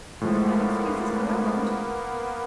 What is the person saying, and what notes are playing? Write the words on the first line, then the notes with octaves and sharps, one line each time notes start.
I could find excuses, but I won't.
A2 F3 G#3 A#3 B3